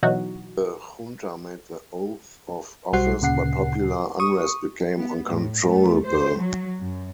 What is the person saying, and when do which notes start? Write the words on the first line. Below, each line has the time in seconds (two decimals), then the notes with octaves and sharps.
The Junta made the oath of office, but popular unrest became uncontrollable.
0.03 B2 E3 F#3 D#4 F#4
2.93 B1 G3 F#4 C5 F#5 C7
3.21 D2 A#2 C#3 F#5 C7
4.20 C#6 D#6
4.96 B3
5.30 A2
5.64 A3
6.06 C5
6.38 F#3
6.80 F#2